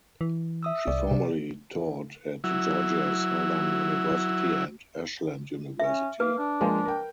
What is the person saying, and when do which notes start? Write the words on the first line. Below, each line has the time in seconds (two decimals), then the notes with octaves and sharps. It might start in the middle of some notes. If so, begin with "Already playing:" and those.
She formerly taught at Georgia Southern University and Ashland University.
0.21 E3
0.63 E5 D#6 E6
0.88 C2 D5
1.11 C3
2.44 F#3 E4
5.80 C#4 E5
6.20 A#3 B4
6.38 D4
6.61 F3 G#3 A#3
6.85 A#4 G5